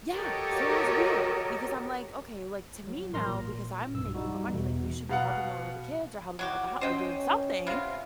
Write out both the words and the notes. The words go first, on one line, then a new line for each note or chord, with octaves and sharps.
Yeah, so it was weird because I'm, like, "Okay" like, to me, now because I'm making more money, like, "you should be helping more with the kids or helping more with the hou or doing something,
F#4 G4 A4 A#4 C#5 D#5
F#3
A1 A#4 C6 F6 A#6
A#2
B1 G2 E6
G3 D#4 F#4
E2 B2
B2 F5 F#5
F#3 F#4 G4
C#4 C5 D#5 G5
C3 B3 F4